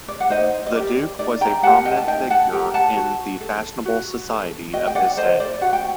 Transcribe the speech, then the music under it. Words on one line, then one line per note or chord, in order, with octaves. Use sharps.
The Duke was a prominent figure in the fashionable society of his day.
D5
F#5
D#4 C5 D#5
D#5
G4 A#4 D5
D#4 D5
G5 A#5
G4 A#4 F#5 A5
D#5 G5
A5
D#4 D#5 G5
F#5 A5
G4 A#4 G5 A#5
F#5 A5
F#4
A4
F#4
A4
F#4 D#5 G5
G5
D5 F#5
A4 C5 D#5
D5
F#4 F#5
G5